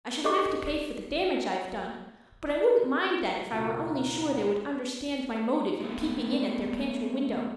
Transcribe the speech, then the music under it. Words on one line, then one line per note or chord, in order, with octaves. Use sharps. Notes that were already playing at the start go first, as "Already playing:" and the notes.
I shall have to pay for the damage I've done, but I wouldn't mind that if I were only sure they would understand my motive in peeping in at their pantry window.
G4 A4 D#5 C#6 D6
E1 C#2 F3 F4 A#4 F#5
G#3 A3 B3 C4